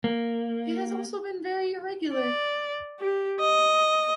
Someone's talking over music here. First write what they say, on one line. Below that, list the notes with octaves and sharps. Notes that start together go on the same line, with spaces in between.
It has also been very irregular.
A#3
D5
G4
D#5